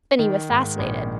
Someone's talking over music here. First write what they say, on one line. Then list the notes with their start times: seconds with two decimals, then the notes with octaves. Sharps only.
Benny was fascinated.
0.19 D#3
0.49 G#2
0.79 A#1